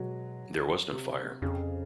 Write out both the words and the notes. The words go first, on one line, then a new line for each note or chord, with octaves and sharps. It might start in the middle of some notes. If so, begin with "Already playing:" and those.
There was no fire.
Already playing: B2 F#3 G#3
C3
F2 C#3